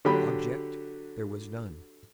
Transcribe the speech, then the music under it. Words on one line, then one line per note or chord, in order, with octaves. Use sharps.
Object there was none.
D3 F#3 G4 B5